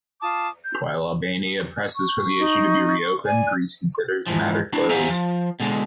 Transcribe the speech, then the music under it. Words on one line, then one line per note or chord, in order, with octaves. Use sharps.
While Albania presses for the issue to be re-opened, Greece considers the matter closed.
F4 A5 D6 D#6
G6
C#6
D#4
D5 G#5
G#2 E3 F3
D4 E4 F#4
B3 C5 E5 F5 G#5 A#5
F3
B2 D3 G#3